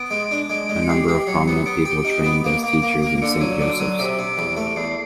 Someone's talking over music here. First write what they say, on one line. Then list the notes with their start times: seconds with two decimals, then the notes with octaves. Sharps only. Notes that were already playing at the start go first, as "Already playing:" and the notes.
A number of prominent people trained as teachers in Saint Joseph's.
Already playing: B3 D7
0.11 G#3
0.31 D4
0.50 G#3
0.69 G#3
0.84 C#7
0.89 G4 C7
1.08 G4 C7
1.27 F#3 C#7
1.47 B3 C#7
1.66 B3 D7
1.85 G4
2.05 D#4
2.25 B3
2.44 A#3
2.63 A#3
2.82 A#3
3.02 A#3
3.22 D3 C#7
3.41 F#3 D#7
3.60 D3 D7
3.80 F#3 D#7
3.99 C3 D7
4.19 C3
4.38 E2
4.57 A3
4.76 E2 C7